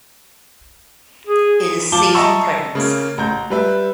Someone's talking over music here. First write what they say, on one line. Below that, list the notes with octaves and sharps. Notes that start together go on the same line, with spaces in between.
It is safe in pregnancy.
G#4
F3 F4 A5 D6 G7
D#5 E5 A5 A#5 C#6 E6
C#3 A#3
A1 A#5 G6
G3 B4 E5